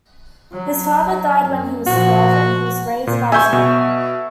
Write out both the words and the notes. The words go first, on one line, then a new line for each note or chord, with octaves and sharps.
His father died when he was twelve, and he was raised by his mother.
F#3
F#2
A#2 F3 F#4
A#2
E5 G#5 C#6 G6
B2